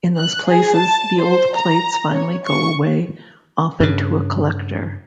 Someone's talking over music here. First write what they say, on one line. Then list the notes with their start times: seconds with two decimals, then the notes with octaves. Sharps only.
In those places, the old plates finally go away, often to a collector.
0.17 F#6
0.48 G#4
0.78 A5
1.19 C5
1.56 A#5
2.12 C#5
2.46 C#6
3.80 G2 C#3